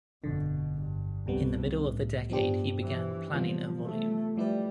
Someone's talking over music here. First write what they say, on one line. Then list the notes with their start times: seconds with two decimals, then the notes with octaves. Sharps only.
In the middle of the decade he began planning a volume.
0.24 G1 F2 B2 D3
0.75 G2
1.26 C2 F2 C3 G3 B3
1.78 A2
2.30 G2 F3 B3 D4 G4 C5
2.82 E3
3.34 C3 E3 F3 G3 B3 F4
3.85 A3
4.37 F3 G3 A3 E4 B4 D5